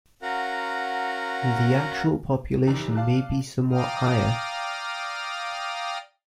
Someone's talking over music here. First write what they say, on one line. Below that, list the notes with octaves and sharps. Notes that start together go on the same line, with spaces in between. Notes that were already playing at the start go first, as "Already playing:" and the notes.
The actual population may be somewhat higher.
C#4 F#4 A#4 F5 F#5 A#5
F#1 E2 C3 D#3 D4 A#5
D5 F5 A5 F#6
D5 F5 G5 A#5 D#6 F6